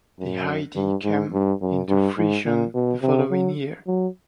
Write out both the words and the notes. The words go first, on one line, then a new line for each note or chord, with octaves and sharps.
The idea came into fruition the following year.
F#2
G2
G#2
G2
F#2
G2
G#2
A#2
B2
C3
F#3
F#3